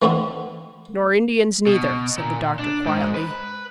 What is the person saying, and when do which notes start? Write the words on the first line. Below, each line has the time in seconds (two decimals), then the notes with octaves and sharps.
"Nor Indians neither," said the doctor quietly.
0.02 E3 A3 C4 D#4 E4 F#4
1.67 B2
2.18 A#2
2.59 D4
2.86 G#2
3.16 B4